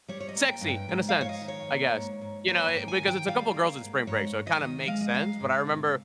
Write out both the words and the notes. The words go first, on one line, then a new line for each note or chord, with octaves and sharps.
sexy in a sense, I guess, you know, i because it's a couple of girls in spring break, so it kinda makes sense, but I remember
G3 C#5
C#5
D#5
A#3
G5
G2
G5
G#2 G5
F5
G#2
C#5
D#5
D#3
C#5
A#3
G#2
G#2
A#3 C#5
G5
G#2
G#5
D#3
G5
G3 F5
A#3
G#2
G#2 C#5
G#2
D#5
D#3
G#3 F5
D#5
G#2 F5
G#2
C3